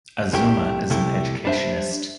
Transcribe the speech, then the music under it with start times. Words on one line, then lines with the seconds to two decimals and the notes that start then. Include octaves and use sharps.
Azumah is an educationist.
0.33 C2 C3 A3 E4 G4
0.90 C2 C3 A3 E4 G4
1.45 G3 D4 C5 E5